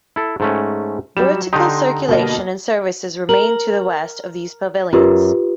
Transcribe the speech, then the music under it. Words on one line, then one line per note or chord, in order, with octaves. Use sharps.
Vertical circulation and services remain to the west of these pavilions.
E4 A4
G#2 A3 C#4
F#3 G3 E7
D3 D#4 G4 A#5 C6 D#6
B2 A#3 D#5
A#4 F#7
F#2 F4 G4 B4